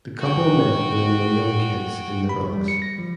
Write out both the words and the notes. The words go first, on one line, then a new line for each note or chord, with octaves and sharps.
The couple met when they were young kids in the Bronx.
F#4 G5
B5
G3
C#7
A#6
F3